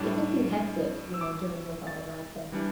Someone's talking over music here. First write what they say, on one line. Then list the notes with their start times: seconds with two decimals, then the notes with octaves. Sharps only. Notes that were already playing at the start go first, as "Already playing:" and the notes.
It can be hectic, you know, dealing with all that, but
Already playing: A2 G3 D4 D6
1.14 E6
1.21 D6
1.87 A6
2.52 E3 G3 D4